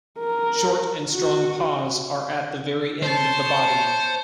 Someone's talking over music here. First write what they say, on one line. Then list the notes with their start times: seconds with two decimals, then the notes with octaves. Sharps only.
Short and strong paws are at the very end of the body.
0.19 A#4
1.14 F#4
3.03 C5 C#5 A5